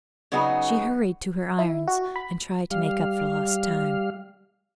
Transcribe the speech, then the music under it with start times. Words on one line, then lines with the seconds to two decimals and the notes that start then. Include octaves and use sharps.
She hurried to her irons, and tried to make up for lost time.
0.32 C#3 F#3 B3 D#4 F#4 G#4
1.59 E4
1.88 F#4
2.16 B5
2.71 G3 F5